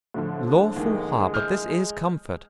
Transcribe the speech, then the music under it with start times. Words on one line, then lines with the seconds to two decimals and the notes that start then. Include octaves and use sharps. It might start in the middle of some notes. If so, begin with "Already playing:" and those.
Lawful heart, but this is comfort.
0.14 A2 D3 F3
0.76 D#2 D#3 G#3
1.34 F6 G6